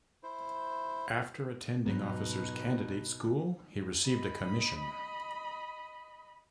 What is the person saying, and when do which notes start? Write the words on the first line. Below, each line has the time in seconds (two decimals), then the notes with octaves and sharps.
After attending Officer's Candidate School he received a commission.
0.23 E4 C5
1.86 G#2 B2 F#3 B3 D#4 B4
4.05 D#5 B5